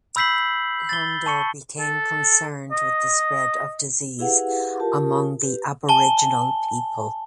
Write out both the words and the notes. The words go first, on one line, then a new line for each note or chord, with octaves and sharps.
Landor became concerned with the spread of disease among the Aboriginal people.
B5 E6 G6 B6 C7 F#7
A6 G7
A5 C#6 C#7
A4
D#5
E4 G4 G#4 B4 F5 F#5
F4 G4 A#4 A5
G4 B4
G#5 A5 G7